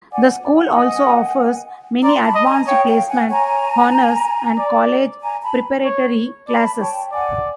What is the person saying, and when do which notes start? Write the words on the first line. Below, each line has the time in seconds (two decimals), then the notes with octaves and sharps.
The school also offers many Advanced Placement, Honors, and college preparatory classes.
0.13 D5 F#5 G#5
0.45 D5
0.54 F#5 G#5
0.76 D#5
2.03 D5 A#5 C6
2.24 A5 B5
2.35 D#5
2.45 G#5 A#5
2.66 C#5 F5 G5
2.88 F5 G5
3.09 F#5 G#5
3.30 C#5 G#5 A#5
4.58 D5
5.22 G#5 A#5
5.42 A5 B5
5.85 C#5
6.48 D5 A5 B5
6.80 C#5 G5 A5
7.12 D5 F#5 G#5